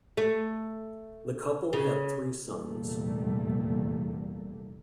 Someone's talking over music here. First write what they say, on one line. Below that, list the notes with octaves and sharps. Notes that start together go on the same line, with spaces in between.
The couple had three sons.
A3
C#3
F1 A#1 E2 G3 A3 A#3